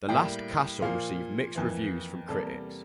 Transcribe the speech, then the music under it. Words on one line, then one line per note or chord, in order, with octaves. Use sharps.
"The Last Castle" received mixed reviews from critics.
A2 G3 A#3 G5
A#2 F3 A#3 F5
F2 E3 A#3
E2 C3 G3 A#3 A4